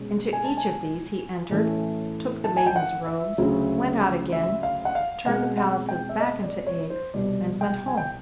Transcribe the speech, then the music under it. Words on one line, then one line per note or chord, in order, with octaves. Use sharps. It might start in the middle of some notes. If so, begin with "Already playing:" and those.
Into each of these he entered, took the maidens' robes, went out again, turned the palaces back into eggs, and went home.
Already playing: B2 G#3 C#4
G#5
A5
G#5
A2 E3 A3 C#4
A5
G#5
G5
F#5
E5
D2 C#3 F#3
E5
F5
F#5
F5
B2 G#3 C4 F#5
F#5
G5
E5
D#5
D5
C#5
C5
C2 B2 G3 D5
G5
G#5
G5